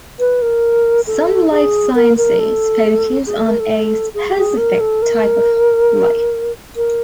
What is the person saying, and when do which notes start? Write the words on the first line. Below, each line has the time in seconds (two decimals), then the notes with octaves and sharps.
Some life sciences focus on a specific type of life.
0.19 B4
0.42 A#4
1.07 A4
1.51 G#4
1.95 A#4
2.17 A#4
2.39 A4
3.26 G#4
3.37 A4
3.48 A#4
3.60 A4
4.14 G#4
4.36 G#4
4.57 A#4
4.80 A4
5.02 A#4
6.76 A#4